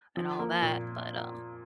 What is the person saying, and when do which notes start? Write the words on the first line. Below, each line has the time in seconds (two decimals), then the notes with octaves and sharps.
and all that, but, um
0.17 F3
0.39 A#3
0.62 A#2